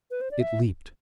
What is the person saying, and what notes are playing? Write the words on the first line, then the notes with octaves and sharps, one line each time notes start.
It leaped.
B4
C5
D5
E5